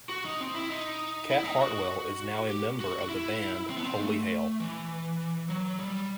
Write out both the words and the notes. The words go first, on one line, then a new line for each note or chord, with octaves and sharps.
Cat Hartwell is now a member of the band Holy Hail.
F#4
D#4
C4
E4
D#4
E4
D#4
F#4
G4
F#4
E4
C4
B3
C4
A3
E3
F#3
G3